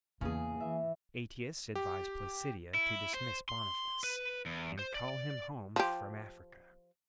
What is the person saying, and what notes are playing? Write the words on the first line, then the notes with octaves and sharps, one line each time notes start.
Aetius advised Placidia to dismiss Boniface and call him home from Africa.
E2 C#3 A#3 G#4
E3 E5
G4
E4
C5
C6
B4
E2
C5
D5
F3 G4